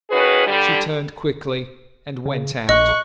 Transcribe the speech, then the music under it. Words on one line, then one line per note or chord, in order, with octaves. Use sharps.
She turned quickly, and went out.
D#3 C#4 F#4 G#4 B4
D3 G3
C#3
A#1 D#5 C#6 F#6